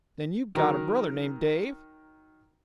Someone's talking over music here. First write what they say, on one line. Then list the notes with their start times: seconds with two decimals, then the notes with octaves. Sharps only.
"Then you've got a brother named Dave?"
0.55 D#3 F#3 A#4 A#5